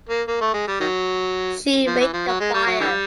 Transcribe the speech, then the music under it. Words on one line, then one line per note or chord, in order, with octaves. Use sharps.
She raked the fire.
A#3
A#3
A3
G#3
G3
D#3 F#3
F3
E3
F3
F#3
G#3
G3
F#3
D3 E3 G3